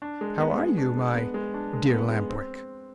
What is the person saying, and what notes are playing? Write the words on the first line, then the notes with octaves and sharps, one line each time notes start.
"How are you, my dear Lamp-Wick?"
D4
G#3
B3
G#3
D4
G#3
B3
G#3
D4
G#3
B3
G#3
C4